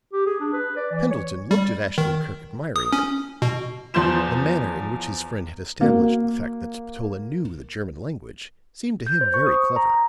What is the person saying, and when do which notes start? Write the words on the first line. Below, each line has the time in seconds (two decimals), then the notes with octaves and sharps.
Pendleton looked at Ashton-Kirk admiringly; the manner in which his friend had established the fact that Spatola knew the German language seemed to him very clever.
0.13 G4
0.27 G#4
0.40 D4
0.53 B4
0.76 D5
0.92 E3
1.10 C#5
1.51 G3
1.98 D#3
2.76 D#6
2.93 C#4
3.42 B2
3.94 E2 F3 C6 G6 E7
5.81 A#3 F#4
9.07 G6
9.21 C5
9.34 C#6
9.46 D#6
9.76 A#5
9.90 A#5